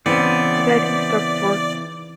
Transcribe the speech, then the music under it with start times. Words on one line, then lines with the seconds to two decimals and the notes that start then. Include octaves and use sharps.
He died in Stockport.
0.06 C#3 E3 B3 C4 D5